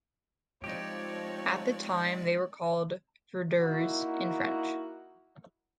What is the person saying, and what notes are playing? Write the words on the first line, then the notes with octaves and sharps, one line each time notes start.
At the time they were called "verdures" in French.
F3 G#3 C4 D#4 G4 C#5 D5
A#3 D#4 E4 F#4